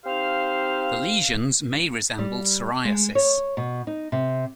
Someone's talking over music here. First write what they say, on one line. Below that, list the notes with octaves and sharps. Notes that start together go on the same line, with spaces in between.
The lesions may resemble psoriasis.
C4 D#4 G4 C5 F5
G3
G#3
C#5
B2
D#4
C3